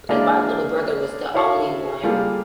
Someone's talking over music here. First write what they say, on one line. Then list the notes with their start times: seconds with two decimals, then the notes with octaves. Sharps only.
like, my little brother was the only one
0.09 G#3 A#3 D4 E4 G#4 D5
1.34 E4 F#4 C#5 F5 A5 C#6
2.03 G3 A#3 F4 G#4 A4